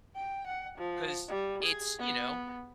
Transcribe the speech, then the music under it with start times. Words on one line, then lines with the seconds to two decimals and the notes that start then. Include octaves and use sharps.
'cause it's, you know,
0.16 G5
0.47 F#5
0.78 F3
1.28 G3
1.63 G#4
1.99 B3